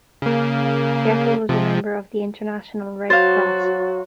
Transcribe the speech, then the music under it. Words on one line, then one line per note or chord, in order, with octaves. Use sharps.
Jeckle was a member of the International Red Cross.
C#3 A#3
C3 F3
F#3 F#4 C5 F5 A6